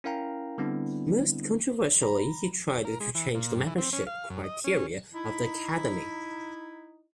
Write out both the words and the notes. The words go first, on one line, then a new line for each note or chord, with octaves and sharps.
Most controversially, he tried to change the membership criteria of the Academy.
C#4 E4 A#4 F5 G5 A#5
D3 G3 B3 C4 D4 E4
A#5 B5
A#4
G#3
E3
A#2
G2
E3
C4
C#4
F5
F#2
D#5
C#4
D#4 E4